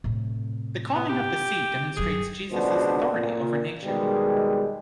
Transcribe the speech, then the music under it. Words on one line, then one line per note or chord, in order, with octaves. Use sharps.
The calming of the sea demonstrates Jesus' authority over nature.
A2 C3
B3
G4
G2 F#3 G#4
G#1 C#2 B2 D3 D4 C5
A#2
B2 D#3 G3 G#3